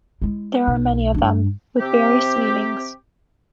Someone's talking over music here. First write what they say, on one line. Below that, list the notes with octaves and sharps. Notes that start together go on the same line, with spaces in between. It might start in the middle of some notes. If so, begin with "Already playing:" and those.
There are many of them, with various meanings.
G#3 E4
B1
G2 D4
C3 C4 G4